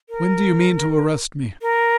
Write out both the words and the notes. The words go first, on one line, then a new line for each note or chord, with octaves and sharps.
"When do you mean to arrest me?"
A#4
A#4